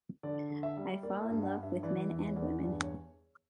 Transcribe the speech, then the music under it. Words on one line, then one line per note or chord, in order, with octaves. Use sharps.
I fall in love with men and women.
D3 D5
D3
E5
G3
A#3 D5
E5
G2
F#5
G2
E5
E3 D5
E2 E5
C#5
E2 D5
G2 D5
C#5